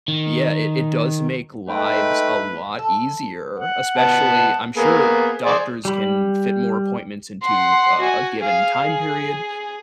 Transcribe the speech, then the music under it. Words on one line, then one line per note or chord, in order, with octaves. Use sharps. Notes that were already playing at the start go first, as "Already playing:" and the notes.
yeah, it it does make lives a lot easier, especially I'm sure doctors can fit more appointments into, uh, a given time period,
D#3
G#3 A3 D#4 B4 G5
A4
F#5
B3 F#5 A5
A#3 B3 G#4
G#4 C5 D5
G3 B5
F#5 C6
F#4 G#5
G#4 F5
G#4